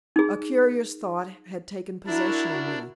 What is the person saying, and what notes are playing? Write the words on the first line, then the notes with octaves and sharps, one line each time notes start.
A curious thought had taken possession of me.
D#4 G#4
D4 E4 F#4 A#4 D5